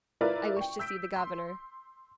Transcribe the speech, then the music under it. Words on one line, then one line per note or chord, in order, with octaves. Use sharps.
"I wish to see the governor."
E4 F4 A#4 B4 D5 E5
G5 C#6
E6 G6 B6 D7
C6